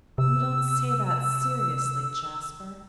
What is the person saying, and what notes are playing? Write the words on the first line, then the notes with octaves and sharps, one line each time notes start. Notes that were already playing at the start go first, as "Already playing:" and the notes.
'You don't say that seriously, Jasper?'
C3 E6